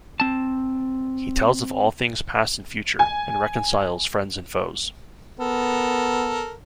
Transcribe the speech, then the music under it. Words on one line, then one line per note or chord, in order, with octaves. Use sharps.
He tells of all things past and future, and reconciles friends and foes.
C4 A5
G#5
B3 A4 A#4